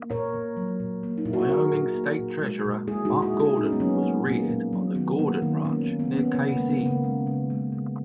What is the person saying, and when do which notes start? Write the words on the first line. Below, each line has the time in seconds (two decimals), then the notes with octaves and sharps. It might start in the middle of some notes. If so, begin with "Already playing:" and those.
Wyoming State Treasurer Mark Gordon was reared on the Gordon Ranch near Kaycee.
Already playing: A#3
0.10 A#2 A#4 C#5
0.34 A#2
0.57 F#3
0.80 A#2
1.03 A#3
1.18 D#4
1.26 A#2 E4
1.33 F#4
1.41 G#4
1.49 A#3 F#4 A#4
1.72 A#2
1.95 A#3
2.19 A#2
2.42 G#3
2.65 A#2
2.88 G#3 E4 G#4
3.05 D#4 F#4
3.11 A#2
3.22 E4 G#4
3.34 G#3
3.40 E4 G#4
3.57 A#2 D#4
3.65 C#4
3.72 B3
3.80 F#3 A#3 C#4
4.04 A#3
4.26 A#2 A#3
4.49 A#2
4.73 F#3
4.95 D#3 B3
5.19 A#3
5.42 D#3
5.65 A#3 C#4
5.82 B3
5.88 D#3
5.99 B3
6.11 A#3 C#4
6.17 B3
6.34 C#3 B3
6.51 A#3
6.57 G#3
6.69 B3
6.81 C#3
6.86 A#3
7.04 G#3
7.27 C#3
7.50 G#3
7.72 C#3